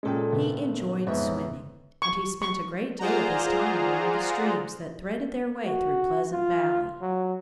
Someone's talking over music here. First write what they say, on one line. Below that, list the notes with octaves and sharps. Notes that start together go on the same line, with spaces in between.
He enjoyed swimming. And he spent a great deal of his time along the streams that threaded their way through Pleasant Valley.
A#2 G#3 C#4 A4 G5
G#1 A#2 C#3 B3
F2 G#2 B3 C#5 E5
C#6
C#6
F4 G#4 C5 D5 F#5 A#5
F#4
F4
F#3